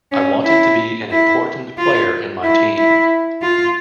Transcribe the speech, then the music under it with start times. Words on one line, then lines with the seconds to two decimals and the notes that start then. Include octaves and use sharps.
I wanted to be an important player in my team.
0.12 C#4
0.44 E4
1.10 E4
1.77 F4
2.43 E4
2.77 E4
3.42 F4